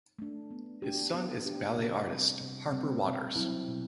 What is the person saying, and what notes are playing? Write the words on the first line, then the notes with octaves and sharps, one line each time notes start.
His son is ballet artist Harper Watters.
A3 D4
B3
D4 G4
B3
D4 G4
C3
G3 C4
C3
G3 C4
B2
F#3 C4 E4
B2